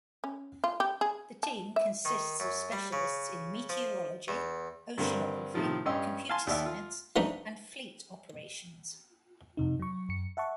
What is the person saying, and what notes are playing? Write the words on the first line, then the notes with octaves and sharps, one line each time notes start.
The team consists of specialists in meteorology, oceanography, computer science, and Fleet operations.
C#4
F4
G4
G#4
A5
E5
D#3
F#2
G3
C#3
F3
E2
G2 D3 C4 A#4
A2 C3 D#3 F3 F4
G2 C#4 G4 D#5 C6 E6
F5 G#5 A5 C6 F6
D#2 D5 E5
F4
E3 F3 A3 D4 D#4
F2 C3 D#4
F#3 C#6
F#2 C#7
E5 F#5 A5 C#6